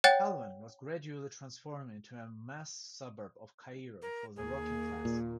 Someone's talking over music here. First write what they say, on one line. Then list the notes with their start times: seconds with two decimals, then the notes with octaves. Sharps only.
Helwan was gradually transformed into a mass suburb of Cairo for the working class.
0.04 C#5 F#5 G5 F#6 A6
4.02 A#4
4.36 D#2 A#3 G#4
5.05 A#2